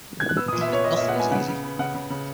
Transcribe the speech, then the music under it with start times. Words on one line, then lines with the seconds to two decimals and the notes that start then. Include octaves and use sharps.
Even Nothing is easy!
0.20 G#6
0.29 F#6
0.37 B3 E6
0.48 D#6
0.53 A#2
0.61 E5
0.68 B3
0.73 C#5
0.84 B3 D#5
0.97 E5
1.01 A#2
1.08 F#5
1.15 B3 G#5
1.31 C#3 F#5
1.48 C#3
1.64 B3
1.79 C#3 F#5
1.94 C#3
2.10 C#3